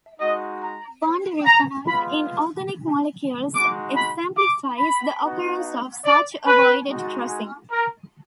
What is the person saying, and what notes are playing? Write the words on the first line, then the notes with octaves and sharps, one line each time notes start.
Bond resonance in organic molecules exemplifies the occurrence of such avoided crossings.
G#3 D#4 F#4 D#5
A#5
A#5
G#3 B3 F4 B5
G#3 D#4 F#4 D6
B5
D6
B5
B3 D#4 F#4
D5
B4
G#3 D#4 F#4
G#4
A#4